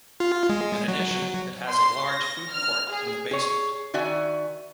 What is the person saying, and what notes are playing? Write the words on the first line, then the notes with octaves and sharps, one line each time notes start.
In addition, it has a large food court in the basement.
F4
G#3
F#3
C6
A#6
F6
G#4
G#4 C#5
D#3 F#4 D5 E5 G#5